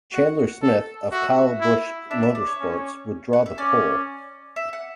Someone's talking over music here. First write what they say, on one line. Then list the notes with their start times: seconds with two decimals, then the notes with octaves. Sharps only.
Chandler Smith of Kyle Busch Motorsports would draw the pole.
0.13 F#4 F#5
0.62 A4
1.12 F#4 E5
1.61 E4
2.11 D4 E5
2.23 E5
2.35 D5
2.47 C#5
2.60 C#4
3.33 F#5
3.46 E5
3.58 C#4 D5
4.56 E5
4.73 F#5